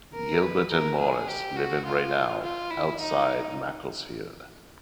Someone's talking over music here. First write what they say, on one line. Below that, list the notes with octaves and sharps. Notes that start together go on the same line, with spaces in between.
Gilbert and Morris live in Rainow, outside Macclesfield.
A#4
B4
A#4
G#4
G4
F#4
F4
F4
E4
D#4